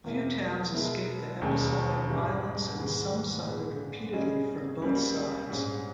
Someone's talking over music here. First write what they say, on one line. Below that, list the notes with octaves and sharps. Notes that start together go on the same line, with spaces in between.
Few towns escaped the episodic violence and some suffered repeatedly from both sides.
E2 B2 A#3 E4 A#4
B2 G#3 B3 E4 A#4
E1 D#2 D#3 G#3 C#4
G#2 E3 G3
G#2 D#3 G#3 B3
A#2 G#3 B3
C#3 G3 C#4 G#4 D#5
C#2 C#3 G3 A#3
A#1 G#2 G3 C#4 G#4